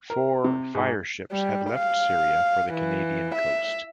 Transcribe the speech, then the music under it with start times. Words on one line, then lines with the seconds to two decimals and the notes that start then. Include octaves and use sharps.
Four fire-ships had left Syria for the Candian coast.
0.10 A#4
0.44 C3
0.75 G#2
1.32 G3
1.71 F5
2.74 E3
3.35 E5